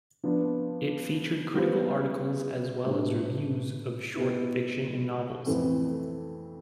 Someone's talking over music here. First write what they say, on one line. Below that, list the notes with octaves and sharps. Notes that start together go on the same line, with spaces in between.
It featured critical articles as well as reviews of short fiction and novels.
F3 B3 D4 F4
G3 B3 F4 C5
A2 G3 B3 D4
B2 B3 E4
F2 E3 A3 C4